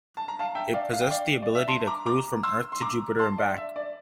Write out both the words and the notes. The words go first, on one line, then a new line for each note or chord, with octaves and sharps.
It possesses the ability to cruise from Earth to Jupiter and back.
A5
A#5
F5 A5
E5 G5
D5 F5
F5
G5
D5 F5
D5
E5
A5 C6
A#5 D6
A#5 D6
C6 E6
C6
A#5 D6
A5 C6
D5
E5
D5